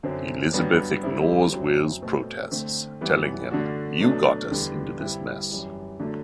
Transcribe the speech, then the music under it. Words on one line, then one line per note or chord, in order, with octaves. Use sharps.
Elizabeth ignores Will's protests, telling him, You got us into this mess.
F#2 D3 F#3 C4
G2 F#3 B3 D4
D2 D3 G3 C4 E4
F#2 F#3 C4
B2 A3 C4
D3 A3 C4
F#2 E3 G3 B3
D3 A3 D4 F#4
B2 F#3 A3 D4
E2 D3 G3
G2 D3 G3 C4 E4
F#2 E3 G3
D3 F#3 A3 D4